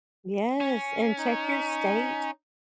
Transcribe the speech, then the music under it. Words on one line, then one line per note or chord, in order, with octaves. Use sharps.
Yes, and check your state
C#4
D#4